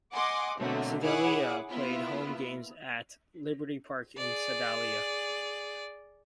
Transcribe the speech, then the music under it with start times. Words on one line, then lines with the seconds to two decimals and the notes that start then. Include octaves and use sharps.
Sedalia played home games at Liberty Park in Sedalia.
0.13 D#5 F#5 G#5 C6 D6
0.60 B2 D3 F#3 A3 A#3 C4
1.01 E4 G#4 C#5 F#5 D6
1.70 A#3 B3 E4 F4
4.17 G#4 D5